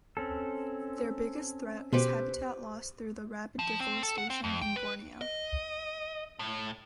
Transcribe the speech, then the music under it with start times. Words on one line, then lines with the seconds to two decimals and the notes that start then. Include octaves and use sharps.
Their biggest threat is habitat loss through the rapid deforestation in Borneo.
0.17 C4 C#4 A4
1.93 B2 G4 B4 C5
3.59 F3
3.80 C4
4.03 A4
4.18 F#5
4.30 C4
4.44 F2
4.61 G5
4.76 B4
5.21 D#5
6.39 A2